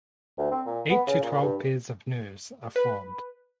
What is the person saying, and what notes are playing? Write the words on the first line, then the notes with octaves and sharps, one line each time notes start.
Eight to twelve pairs of nerves are formed.
D2
C4
A#2
B3
C#3
A#2
G2
B4